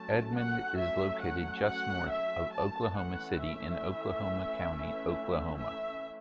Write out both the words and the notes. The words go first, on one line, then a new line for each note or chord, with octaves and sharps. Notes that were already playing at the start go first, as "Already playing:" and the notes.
Edmond is located just north of Oklahoma City in Oklahoma County, Oklahoma.
Already playing: F#3 A3 C#4 A5
F#5
E5
F#5
F#5
E5
A5
E3 A3 C#4 F#5
E5
E5